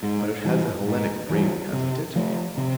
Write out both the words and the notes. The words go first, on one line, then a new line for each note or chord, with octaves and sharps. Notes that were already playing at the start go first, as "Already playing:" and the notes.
But it has a Hellenic ring, hasn't it?
G#2
E3 G3
G#2
E3 G3
C3
F3 A3
C3